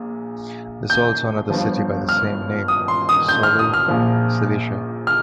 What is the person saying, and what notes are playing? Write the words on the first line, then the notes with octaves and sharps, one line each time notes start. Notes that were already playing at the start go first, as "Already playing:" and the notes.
There is also another city by the same name, Soli, Cilicia.
Already playing: A#1 A#2
G6
G1 G2 F3
F6
D#6
C6
D#6
G6
F6
D#6
F6
A#1 A#2 F3
F6